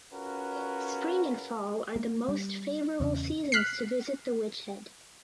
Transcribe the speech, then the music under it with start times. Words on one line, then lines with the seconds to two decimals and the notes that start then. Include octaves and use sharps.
Spring and fall are the most favorable seasons to visit The Witch Head.
0.13 C#4 F4 F#4 G#4 A#4 B4
1.96 A#3
2.28 G3
3.00 E2 C#3
3.52 F6 F#6 B6 C7